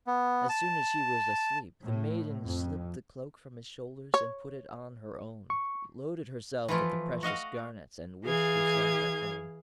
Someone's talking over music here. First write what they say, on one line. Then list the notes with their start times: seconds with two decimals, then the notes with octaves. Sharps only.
As soon as he was asleep, the Maiden slipped the cloak from his shoulders and put it on her own, loaded herself with the precious garnets, and wished herself at home.
0.07 B3
0.49 A5
1.82 A2
2.43 F2
4.14 C#5
5.50 C#6
6.68 E3 F3 A3 E4 F4
7.23 F#4 D#5 F5 F#5
8.25 E3 G#4 F5 G#6